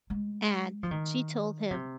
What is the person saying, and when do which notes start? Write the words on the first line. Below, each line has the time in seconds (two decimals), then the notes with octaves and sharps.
and she told him,
0.10 G#3
0.83 F3
0.91 D#3
1.71 C3